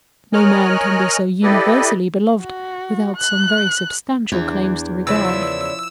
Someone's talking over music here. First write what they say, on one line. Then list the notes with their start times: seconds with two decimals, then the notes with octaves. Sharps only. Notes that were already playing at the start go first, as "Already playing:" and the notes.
No man can be so universally beloved without some very substantial claims to regard.
0.33 A#4 C#5 D#5 G#5 F6 F#6
1.43 E4 G4 A4 B4 D5 D#5
2.42 F#4
3.16 F#6
4.32 E2 E3 D4
5.07 C#3 F3 E4 B4 D5 E6